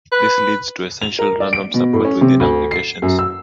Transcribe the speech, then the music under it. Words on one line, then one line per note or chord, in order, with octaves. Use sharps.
This leads to essentially random support within applications.
B4
F7
A#4
D5
D7
B2
A2
C#4
C3
D2
C7
F#2
E6